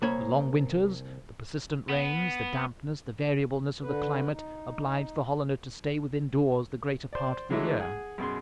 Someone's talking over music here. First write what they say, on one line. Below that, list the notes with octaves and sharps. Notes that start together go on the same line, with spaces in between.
The long winters, the persistent rains, the dampness, the variableness of the climate, obliged the Hollander to stay within doors the greater part of the year.
C2 A#3 C#5 B5
B3
D3 B4
D#4
C5 D5
D3 E3 F#3 G#3 A3 E4
G#4 F#5 G#5
F#2 B2 G#4 C6